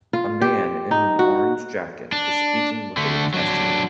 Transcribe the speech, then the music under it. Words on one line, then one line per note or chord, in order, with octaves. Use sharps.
A man in an orange jacket is speaking with a cashier.
F4
G4
D#4
F#4
D4
D3 A3
F#3 D4